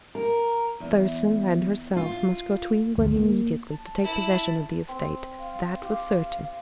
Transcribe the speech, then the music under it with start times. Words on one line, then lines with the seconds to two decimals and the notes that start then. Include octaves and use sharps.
Thurston and herself must go to England immediately to take possession of the estate; that was certain.
0.15 A#4
0.80 E2
1.96 F4
2.98 D2
3.16 A#3
3.69 A5
4.04 E4
4.89 C4
5.39 F5
5.83 G4 F5